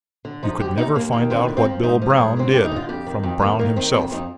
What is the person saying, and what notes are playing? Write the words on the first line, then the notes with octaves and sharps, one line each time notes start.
You could never find out what Bill Brown did from Brown himself.
D3
F3 D#4
D3 G4
D#2 D#4
D#2 A#3
D#3 A#3
D3 C4
F2
C4
F3
G#2 D#4
F3
G#4
G#2
D3 C4
G2 D4
D#4
D3 F4
F2 G4
D#3
F2
D#3 A#3
D#3 A#3
D#3 C4
F2 C4
F2 D#4